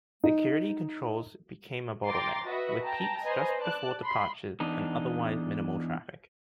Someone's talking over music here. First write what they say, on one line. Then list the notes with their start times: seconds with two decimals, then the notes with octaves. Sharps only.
Security controls became a bottle-neck, with peaks just before departures and otherwise minimal traffic.
0.24 D#4
2.08 G5 A#5 C6 D6 A6
2.47 F#4 B4 D#5 E5 F#5
2.83 G5 A5 A#5
3.23 B4 C5 D#5 G#5 A#5
3.60 D5 A5 F#6
4.03 B5 C6
4.60 E2 D4 D#4